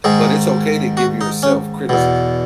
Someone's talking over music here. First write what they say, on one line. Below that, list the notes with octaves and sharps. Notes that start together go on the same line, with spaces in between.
but it's okay to give yourself criticism,
G#2 D#3 G#4
F#4
D#4
C#4
E2 B2